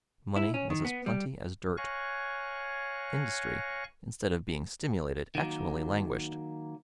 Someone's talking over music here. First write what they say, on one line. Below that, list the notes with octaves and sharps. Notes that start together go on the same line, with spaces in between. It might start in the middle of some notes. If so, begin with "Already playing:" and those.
Money was as plenty as dirt. Industry, instead of being stimulated, actually languished.
E4
C#4
D#3
B3
G3
C#5 F5 G#5 C#6 F#6 A#6
D#3 F#3 A#3